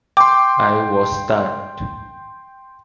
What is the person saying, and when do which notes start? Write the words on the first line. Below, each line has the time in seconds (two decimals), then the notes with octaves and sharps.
I was stunned.
0.17 G5 C6 D6